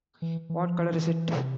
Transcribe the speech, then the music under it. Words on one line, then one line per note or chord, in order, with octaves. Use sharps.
What color is it?
E3
E3
F3
E3
C3